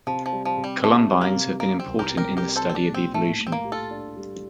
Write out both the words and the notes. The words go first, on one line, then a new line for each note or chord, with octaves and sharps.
Columbines have been important in the study of evolution.
C3 F3
F3
G3
F3
C3
G3
C3 A3
G3
A#3
C3
G3 A#3
C4
C2
G4 A#4
C4
G4 A#4
G3 G4 A#4
A4 C5
G3
C4
D4
A#2
C4
A2 A3
A2
C4
A#3
G4
F4 A4
D4
G3